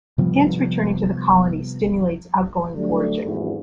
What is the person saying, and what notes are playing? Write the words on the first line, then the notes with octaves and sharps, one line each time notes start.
Ants returning to the colony stimulates outgoing foraging.
C3 F3 G3 B3
D2 D3 F#3 G3 A3
G#1 E2